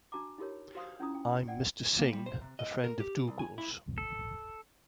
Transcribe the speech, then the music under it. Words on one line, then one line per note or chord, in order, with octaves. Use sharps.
I'm Mr. Singh, a friend of Dougal's.
D4 F#4 A5 A#5 D6
D#4 F4 G4 A#4 C#5
F#4 C5 F5 C6 D#6
C#4 D4 E4 F4 A#5 D#6
G5
D5 F#5 G5
A#3
G3
C5
C3
D#5
A#4
G4
C2
G#5
E4
A4